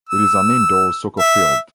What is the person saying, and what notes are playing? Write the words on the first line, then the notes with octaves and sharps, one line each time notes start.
It is an indoor soccer field.
E6
E5